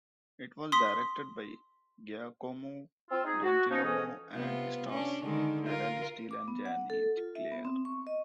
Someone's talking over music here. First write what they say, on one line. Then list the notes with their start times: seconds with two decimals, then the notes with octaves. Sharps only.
It was directed by Giacomo Gentilomo and stars Alan Steel and Jany Clair.
0.72 C6 D#6 B6
3.10 C4 F4 E6
3.24 D#4 G#4
3.43 F#4
3.70 F3 C#4 D#4
3.83 F2 G#2 E3 C#4 D#5 D#6
4.33 C3 B3 F4
4.89 C#4 D4
5.23 D3 D#3 G#3
5.67 F4 A#4
6.31 D6
6.48 B3
6.66 F#5
6.90 A4
7.17 F4
7.36 E5
7.51 B3
7.65 C4
7.85 C#6
8.07 D#5